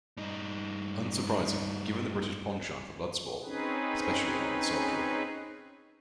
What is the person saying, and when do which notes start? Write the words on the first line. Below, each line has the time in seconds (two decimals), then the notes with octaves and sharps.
Unsurprising, given the British penchant for 'blood sport', especially among the soldiery.
0.17 G2 D#4
3.44 C4 C#4 D#4 G#4 B4